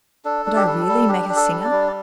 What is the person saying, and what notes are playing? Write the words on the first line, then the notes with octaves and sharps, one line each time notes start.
Would I really make a singer?
D4 A4
D4
G4
G3 A4
G3
D4 G4
D4
A4
G3
D4 D5
G3
D5